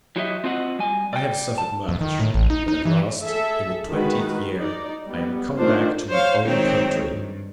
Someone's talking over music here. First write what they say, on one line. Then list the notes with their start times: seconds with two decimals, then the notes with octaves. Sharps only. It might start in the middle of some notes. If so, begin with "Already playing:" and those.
I have suffered much, but at last, in the twentieth year, I am come back to my own country.
0.16 F#3 E4 F#4 G4 D#5 E5
0.44 C4 F4 F#4 D#5 F#5
0.79 G3 G#5
1.13 D5 G5
1.58 A5
1.89 F2
2.01 D#3
2.20 A2
2.34 A1
2.50 D#4
2.68 D#4
2.85 E3
3.21 G#4 A4 E5
3.88 D#3 G#3 F#4 B4
4.56 D#4 D5
5.06 G3 B3
5.57 D#3 A3 C4 D4 F4 C5
6.09 C5 C#5 F5
6.44 D#3 G#3 C4 D#4 C#5
7.11 G2